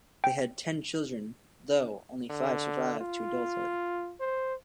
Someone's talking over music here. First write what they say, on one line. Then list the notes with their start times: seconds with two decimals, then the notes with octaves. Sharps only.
They had ten children, though only five survived to adulthood.
0.24 G5
2.30 D3
3.00 F4
4.20 C5